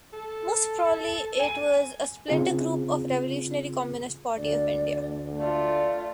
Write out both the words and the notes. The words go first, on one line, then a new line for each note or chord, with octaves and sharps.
Most probably it was a splinter group of Revolutionary Communist Party of India.
A4
G#5 D#7
C#3 C4 F4 G#4
D2 D5
A3 F4 D5